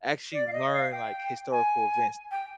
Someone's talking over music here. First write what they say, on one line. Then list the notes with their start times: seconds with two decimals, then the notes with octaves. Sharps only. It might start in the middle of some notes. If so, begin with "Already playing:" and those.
actually learn, like, historical events
0.33 D5
0.46 F5
0.52 D#5
0.72 F5
0.92 G5
1.51 G#5
2.31 G5